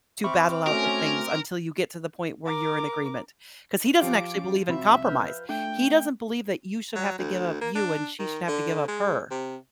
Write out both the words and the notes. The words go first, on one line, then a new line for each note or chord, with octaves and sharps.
to battle out the things until you get to the point where you're in agreement." 'Cause he doesn't actually believe in compromise. He doesn't believe that you should have to give up you and she should have to give up her.
C4 E5 B5 C#6 D6 F6
A3 C#4 F#4 A#4
A#4 D6
F3 F4 G4 D6
C#4
C2 C4 F#4 E5 B5
B4 F6 G6
A3 D4 G5
F#3
D2
A#3
D4
D#3
D3
G#3
C3